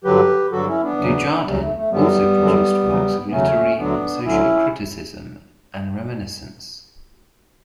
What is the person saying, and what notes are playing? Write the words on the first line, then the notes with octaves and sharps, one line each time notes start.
Dujardin also produced works of literary and social criticism and reminiscence.
G2 D3 F#3 G4 B4
G2 D3 F#3 F#4 A4
C#4 E4
B3 D4
E2 C#3 F#3
E2 C#3 F#3 G3
A3
A3
F#2 D3 F#3 G3 B3
F#2 D3 F#3
E2 C#3 F#3
B3
E2 C#3 F#3 A3 C#4
D2 D3 F#3 B3 D4
D2 D3 F#3 C#4 E4